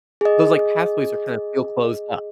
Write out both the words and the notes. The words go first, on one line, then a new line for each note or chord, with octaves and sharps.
Those, like, pathways are kinda feel closed up.
G#4 D#5